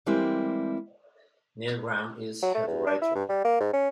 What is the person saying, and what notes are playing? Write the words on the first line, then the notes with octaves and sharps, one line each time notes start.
Neil Grahn is head writer.
E3 G3 G#3 A#3 C4 E4
F#3
A3
E2
D4
E4
G2
G3
A#3
G#2
C#4